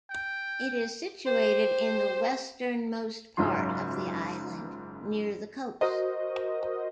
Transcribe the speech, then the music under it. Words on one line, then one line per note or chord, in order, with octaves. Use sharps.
It is situated in the westernmost part of the island, near the coast.
G5
G4 C5
F#1 G#2 F#3 F4 C6
F#4 A#4 C5 D#5